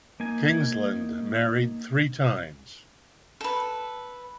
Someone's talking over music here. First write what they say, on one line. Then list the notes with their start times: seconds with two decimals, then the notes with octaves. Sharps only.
Kingsland married three times.
0.20 A#3 D#4 G#5
3.41 A4 B4